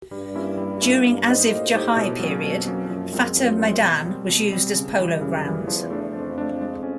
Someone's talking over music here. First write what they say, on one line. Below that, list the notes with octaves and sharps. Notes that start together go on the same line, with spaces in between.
During Asif Jahi period, Fateh Maidan was used as Polo Grounds.
G2 G3
A#3 C#4 E4
G3
A#3 C#4 E4
G2 A#3
D#4 G4 C5 D#5
A2 A#3
D#4 G4 C5 D#5
B2
F#3 A#3 C#4
F2 B2
F#3 A#3 C#4
F#2 F3
G#3 C4 F4 A#4
F#2 F3
G#3 C4 F4 A#4
B2
G3 C4
B2
G3 C4
C#3
E3 G3
F#2 C#3
E3 G3
E2 F3
A3 D4
F2 F3
A3 D4
G#3
C#4